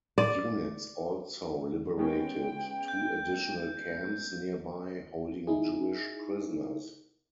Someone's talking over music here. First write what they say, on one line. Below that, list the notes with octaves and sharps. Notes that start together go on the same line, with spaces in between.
Units also liberated two additional camps nearby holding Jewish prisoners.
D5
G#3 B3 C#4 G5
G6
D#4 E4 G#4